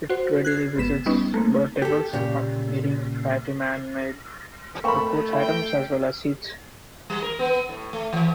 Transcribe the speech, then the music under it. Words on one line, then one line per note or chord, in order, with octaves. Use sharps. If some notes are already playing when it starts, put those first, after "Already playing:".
It readily visits bird tables, eating fatty man-made food items as well as seeds.
F#4 C5
F#6 G#6 C7
G#1 B3 B6 E7
G3 B3 C#4 D#4
A3 A#3 C4
G4 A4
A#2 C#3 G4
A3 A#3 C4 B5 C#6
E4 G5
G3
A#4
B3
A2
A3
E3